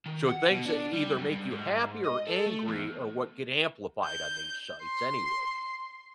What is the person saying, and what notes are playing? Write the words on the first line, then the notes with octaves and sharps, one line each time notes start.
So things that either make you happy or angry are what get amplified on these sites anyway.
D#3
F#5
B2
D4
G3
F#2
G2
G#2
D#5
A4
A3
E2
G6
C6